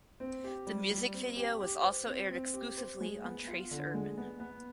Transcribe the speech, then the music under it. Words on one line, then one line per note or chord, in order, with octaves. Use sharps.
The music video was also aired exclusively on Trace Urban.
C4
G4
G3
G3
C4
G4
G4
C5
C4
C4
G4
C5
G#3
B3
F4
D3
G#3
B3
B3